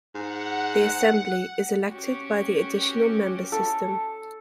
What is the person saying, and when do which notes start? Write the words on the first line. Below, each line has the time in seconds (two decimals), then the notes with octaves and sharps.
The Assembly is elected by the Additional Member System.
0.15 G#2 F#5
1.91 C#4 F#4 G4
3.52 A4